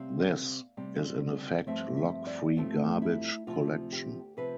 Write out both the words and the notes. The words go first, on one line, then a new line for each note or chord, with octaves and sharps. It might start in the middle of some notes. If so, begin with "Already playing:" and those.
This is in effect lock-free garbage collection.
Already playing: C3 G3 C4 F5
C3 G3 C4
G2 F3 A3 C4 E5
E5
D5
G2 F3 A3 C4 F4
E4
D2 C3 F3 C4 F4
G4
C3 F3 C4 B4